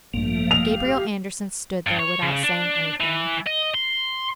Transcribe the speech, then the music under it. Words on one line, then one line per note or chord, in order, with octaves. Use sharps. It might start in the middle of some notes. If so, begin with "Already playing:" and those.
Gabriel Andersen stood there without saying anything.
A1 G2 F3 A3 A#3
G4 F5 F7
G2
C#5
C#3
D4
E3
D#5
C6